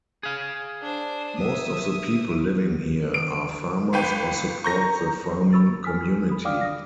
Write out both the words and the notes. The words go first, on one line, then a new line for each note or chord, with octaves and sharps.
Most of the people living here are farmers or support the farming community.
G#4 F5
D4 C5
E5 D#6
D7
G1 B4 G5
A#5 C#6 G6 A#6
B5 C#6 E6 A6
G#5 F6 B6
A4
B5 D#6
D5 F5 G5 D6 D#6 F6
D#6 A#6